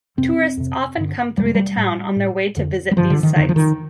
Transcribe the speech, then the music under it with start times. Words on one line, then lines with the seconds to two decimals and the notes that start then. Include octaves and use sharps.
Tourists often come through the town on their way to visit these sites.
0.17 F2 C3 C4
0.57 F2 C3
0.97 G2 D3
1.37 F2 G3
1.41 C3 A3
1.55 G3
1.77 A2
2.16 A2
2.56 F2 D3
2.91 G3
2.96 G2 D3 F3
3.10 D3
3.23 D#3
3.36 F2 D3 D#3
3.49 F3
3.56 D#3